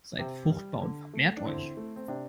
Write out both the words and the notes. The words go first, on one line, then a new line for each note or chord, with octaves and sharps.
Seid fruchtbar und vermehrt euch!
C3
G3
D3
A3
D4
D3 C4 E4
A3
C4
C3 D4